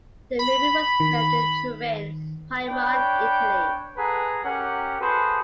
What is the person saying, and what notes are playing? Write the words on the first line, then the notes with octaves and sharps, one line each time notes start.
The movie was filmed in Turin, Piedmont, Italy.
B5
D#3
D4 C#5 G5 B5
G#4 A4 B4 F#5 A#5
C#4 G4 A#4 F#5
F#4 G#4 A4 B4 C5